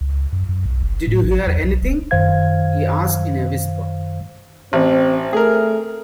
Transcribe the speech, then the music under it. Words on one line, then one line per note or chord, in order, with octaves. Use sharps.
"Did you hear anything?" he asked in a whisper.
C#2
F#2
F#2
B1
F#1
A2
A1
E2
B1
D#1
F#2 D#3 C5 F5 G#6
A1 C4
A3 G#4 A#4